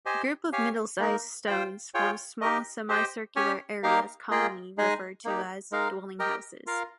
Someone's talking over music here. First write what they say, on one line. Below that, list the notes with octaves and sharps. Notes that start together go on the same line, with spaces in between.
A group of middle-sized stones form small, semi-circular areas commonly referred to as "dwelling-houses".
G4 C5 D#5 G#5
G4 C#5 F5 G#5
A#3 D#4 A#4
F4 C5 G5
F4 G#4 C#5 G5
D#4 G4 A#4 D#5
G4 C5 D#5 G5
C#4 G4 C#5 G#5
A#3 D#4 G4 A#4 F5
A#3 F4 G#4 D#5 G5
G#3 D#4 G#4 D#5 G#5
A#3 D#4 G4
G#3 D#4 A#4 F5
G4 A#4 D#5 G5
F4 A#4 F5